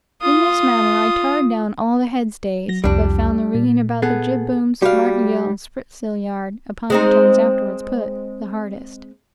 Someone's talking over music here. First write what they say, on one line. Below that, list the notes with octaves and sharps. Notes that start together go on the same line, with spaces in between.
In this manner I tarred down all the head-stays, but found the rigging about the jib-booms, martingale, and spritsail yard, upon which I was afterwards put, the hardest.
F4 D#6
F#3 A#6
C2 F2 G3 D4
A#2
B3 G#4 A4
G3 F#4 D5 F5
G#3 C4 D#4